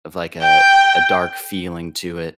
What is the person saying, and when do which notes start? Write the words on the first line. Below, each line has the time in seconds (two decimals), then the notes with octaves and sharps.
of like a a dark feeling to it.
0.42 G5